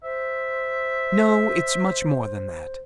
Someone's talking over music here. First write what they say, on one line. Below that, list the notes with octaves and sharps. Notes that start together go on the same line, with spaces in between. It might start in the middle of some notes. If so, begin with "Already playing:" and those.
No, it's much more than that.
C5 E5